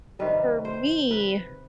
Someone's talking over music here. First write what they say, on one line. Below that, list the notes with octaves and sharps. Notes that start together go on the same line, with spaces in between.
For me,
C3 D#3 G3 B4
C5
B4